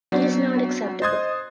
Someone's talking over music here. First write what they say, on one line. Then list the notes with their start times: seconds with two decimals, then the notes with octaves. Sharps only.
It is not acceptable.
0.12 F#3 B3 C4 D4 F#4
1.02 C5 D#5 C6 D#6 F#6 G#6 A6